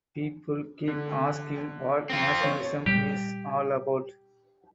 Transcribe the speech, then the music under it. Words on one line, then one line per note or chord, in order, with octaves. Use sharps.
People keep asking what nationalism is all about.
D3
C4 F4
C#5 C#6 A6
A#2 G3 G4